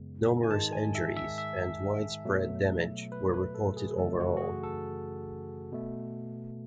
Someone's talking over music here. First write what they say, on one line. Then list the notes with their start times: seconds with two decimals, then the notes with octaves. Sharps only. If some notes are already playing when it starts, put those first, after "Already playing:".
Numerous injuries and widespread damage were reported overall.
Already playing: F#2 C#3 G#3 B3
0.43 G#5
0.51 G#2 D#3 G#3 A5
0.73 G#5
0.95 E5
1.17 E5
1.38 E5
2.25 B2 F#3 A3
3.12 B4
3.34 B4
3.55 A4
3.77 G#4
3.98 F#2 C#3 E3 A3 A4
4.20 F#4
4.37 F#4
4.42 G#4
4.63 A4
5.72 B2 A3